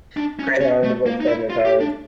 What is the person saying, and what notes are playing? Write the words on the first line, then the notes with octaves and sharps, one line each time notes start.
Greyhound was then retired.
D4
C#4
C#4
A3
A#3
D#4
E4
F4
G4
D4